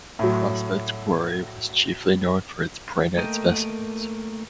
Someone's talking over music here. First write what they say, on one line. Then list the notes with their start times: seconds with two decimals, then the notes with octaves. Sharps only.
Prospect Quarry was chiefly known for its prehnite specimens.
0.19 A2 F#3
3.17 A3 A#3 A#4 D#5 G5